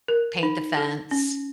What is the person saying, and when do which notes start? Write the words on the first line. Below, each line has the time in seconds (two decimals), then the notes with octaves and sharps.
paint the fence,
0.08 A#4
0.43 D#4
0.77 A4
1.11 C#4